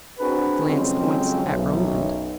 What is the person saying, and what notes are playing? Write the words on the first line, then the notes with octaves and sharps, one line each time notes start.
He glanced once at Roland.
C4 D4 F#4 G#4 A#4 B4
F2 C#3 F#3 G#3 C4
B1 F#2